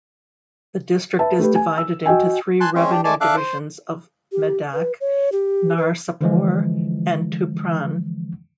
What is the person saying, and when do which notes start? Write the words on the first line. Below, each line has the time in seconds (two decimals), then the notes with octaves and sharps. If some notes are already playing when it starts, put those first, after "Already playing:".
The district is divided into three revenue divisions of Medak, Narsapur and Tupran.
1.19 B4 E5 A5
1.39 A3 G4 B4
1.55 G#5
1.78 E6
2.06 F#4 D#5 G5 G#5
2.61 G#5 A5 C6 F#6
2.75 G#3 C4 C#4
2.92 D4 G4
3.05 G#3 A3 D5 G#5 A5 D6
3.21 D4 A4 E5 F5 D6 F#6
3.37 C5
4.32 G4
4.74 B4
5.00 C#5
5.32 G4
5.77 B4
6.21 D3 E3 F3 G#3